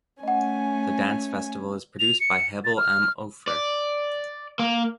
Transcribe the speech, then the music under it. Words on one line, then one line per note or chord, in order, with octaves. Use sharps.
The dance festival is produced by Hebbel am Ufer.
A3 C#4 D#5 F#5 G#5
F7
C#7
A6
F6
D5
A#3